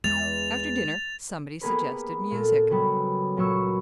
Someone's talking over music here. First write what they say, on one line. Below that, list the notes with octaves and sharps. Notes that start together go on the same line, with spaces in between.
After dinner somebody suggested music.
E2 G#3 A6 F7
A#3 B3 G4 G#4 A#4 B4
A#2 A4
C#3 F#3 G3 B3
C#2 A#2 F#3 B3 C#6 E6